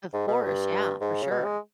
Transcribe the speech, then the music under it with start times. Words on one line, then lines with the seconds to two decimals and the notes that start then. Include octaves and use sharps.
of course, yeah, for sure.
0.14 G#2
0.28 B2
0.43 G2
1.01 G#2
1.22 C#3
1.30 B2
1.45 G#3